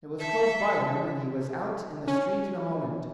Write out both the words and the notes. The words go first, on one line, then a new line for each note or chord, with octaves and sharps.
It was close by him, and he was out in the street in a moment.
A4 E5
C#4